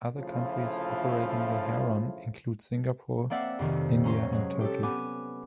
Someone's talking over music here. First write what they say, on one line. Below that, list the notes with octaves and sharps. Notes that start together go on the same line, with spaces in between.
Other countries operating the Heron include Singapore, India and Turkey.
D2 C#3 F3 A3 E4 F4
A#3 C4 D5 E5 F#5
F2 C3 D#3
C#4 A#5 C6
F#3 G#3
G4 A4
B3 G#5 D6